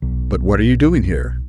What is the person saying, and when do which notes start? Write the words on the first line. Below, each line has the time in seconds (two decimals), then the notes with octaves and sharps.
"But what are you doing here?"
0.02 B1